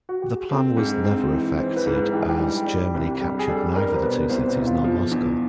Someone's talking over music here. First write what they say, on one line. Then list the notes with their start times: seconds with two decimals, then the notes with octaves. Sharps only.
The plan was never effected, as Germany captured neither the two cities nor Moscow.
0.09 F#4
0.22 G4
0.36 G#4
0.50 C4 A4
0.77 G#2
1.04 C4
1.32 E3
1.58 E3 C5
1.76 B4
1.86 G#2
1.95 B4
2.13 E3 G4
2.21 G#4
2.29 G4
2.40 G3
2.67 G3
2.94 C2
3.21 G3
3.39 G#4
3.48 G3 A4
3.75 G3 A#4
3.96 C5
4.03 B2 B4
4.30 C2 C5
4.48 B4
4.57 B2 E4
4.66 F4
4.84 F3
5.11 E2